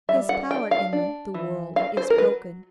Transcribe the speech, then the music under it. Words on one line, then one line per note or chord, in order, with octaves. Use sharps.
His power in the world is broken.
G3 E5
F#5
D4 G5
F5
D4
E3
F#3 F5
C5
A#4
F#3 B4